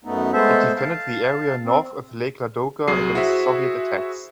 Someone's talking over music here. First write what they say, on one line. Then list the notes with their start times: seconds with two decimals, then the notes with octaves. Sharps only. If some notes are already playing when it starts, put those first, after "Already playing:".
It defended the area north of Lake Ladoga against Soviet attacks.
0.05 F#2 A3 B3 D#4
0.33 G#3 A3 B3 A4 C5 E5
0.76 F5 A5
1.64 C4
2.88 C2 F#3 G#4 C7
3.14 E4 F#4 G#4 C5 E5